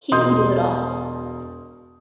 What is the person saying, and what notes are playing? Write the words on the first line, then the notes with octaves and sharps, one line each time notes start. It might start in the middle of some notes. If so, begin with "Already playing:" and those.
He can do it all.
E1 B2 D#5 C6 D#6 G6